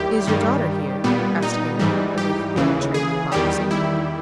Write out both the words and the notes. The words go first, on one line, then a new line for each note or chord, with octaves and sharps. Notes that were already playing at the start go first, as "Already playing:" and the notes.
"Is your daughter here?" asked Harry, with well-trained hypocrisy.
Already playing: D#2 D#3 G3 E4 G4
G2 D#3 G3
A#2 G3 B3
D#4
G#2 E3 G3
G4
D#2 C#3 E3
G#4
E2 D#3 G3 G4
E4